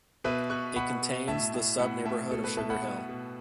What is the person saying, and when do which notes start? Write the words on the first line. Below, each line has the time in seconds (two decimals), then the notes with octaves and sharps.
It contains the sub-neighborhood of Sugar Hill.
0.24 B2 B4 E5
0.50 B2 C#6 F#6
0.76 B2 F#5 B5
1.02 B2
1.28 A2 E5 A5
1.54 A2
1.79 A2 F#5 B5
2.05 A2 E5 A5
2.31 B2 A4
2.44 B4
2.57 B2 E5 A5
2.70 F#5 B5
2.82 B2
3.09 B2